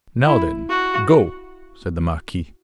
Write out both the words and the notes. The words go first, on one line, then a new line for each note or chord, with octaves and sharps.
"Now, then, go," said the marquis.
E4
F#4